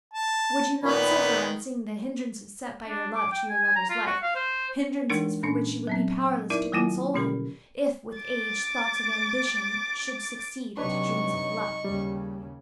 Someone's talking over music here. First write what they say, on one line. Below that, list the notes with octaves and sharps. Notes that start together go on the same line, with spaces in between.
Would you not-suffer on seeing the hindrances set by your love to your lover's life, hindrances for which you would be powerless to console him, if, with age, thoughts of ambition should succeed to dreams of love?
A5
A#2 D#3 B3 B5
D4
D6
G5
G#5
G#5
A#5
F4
F#4
F5
C5
E3 G#3 A3 D4 D#4 A#4
A#2 A#3 C#4 D4
F#3 B3 C4
D#4 E4 A#4 D5 E5
D#3 F#3 A3 A#3 E4 F4
B2 D3 C#4 G4 A#4
D6 A6
C3 F#3 D4 D#4 B4 C#5 C#6
D#2 C#3 G3